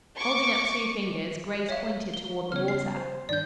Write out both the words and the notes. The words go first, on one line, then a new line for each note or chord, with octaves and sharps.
Holding up two fingers, Grace pointed toward the water.
C#6 D6
C#5 E5 F5
G7
C#3 G3 B3 C#5 F6
C7
C5 G5 C6
G2 D#3 D4 D5 G6